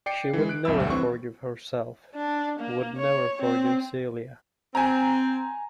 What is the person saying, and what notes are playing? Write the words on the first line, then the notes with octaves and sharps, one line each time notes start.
She would never forgive herself — would never forgive Celia.
D5 G5 C7 C#7
E3 G#3
F#6 D7
B1 F2 E5 B5 E6
G1 D2 G3
E3 C4 C#6
D4
A#3
C#5
C4
C4 G#5 A#5